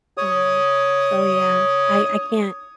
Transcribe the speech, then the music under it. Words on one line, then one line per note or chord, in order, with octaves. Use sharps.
Um, so, yeah, I I can't
C#5 D#6